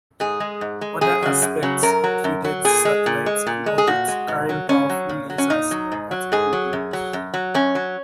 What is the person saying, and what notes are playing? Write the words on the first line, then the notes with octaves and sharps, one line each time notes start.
Other aspects included satellites in orbit carrying powerful lasers or particle beams.
G#2 G#4
G#3
G#2
G#3
F#2 G#4
C#3 F#3
F#2
C#3 F#3
F#2 A#4
F#3
F#2
F#3
A#2 G#4
G#3
A#2
G#3
A#2
G#3
G#4
A#2 F#4
G#3
G#2
F#3
G#2 C#4
F#3
A#2
F#3
C#4
A#2 D#4
F#3
G#2
F#3
G#2 G#4
F#3
F#2
F#3
F#2
F#3
F#2 C#4
F#3